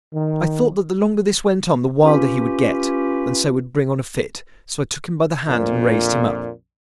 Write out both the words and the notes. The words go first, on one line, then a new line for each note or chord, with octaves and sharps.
I thought that the longer this went on the wilder he would get, and so would bring on a fit; so I took him by the hand and raised him up.
D#3
C#4 F4 G4 B4
A#1 F2 A#2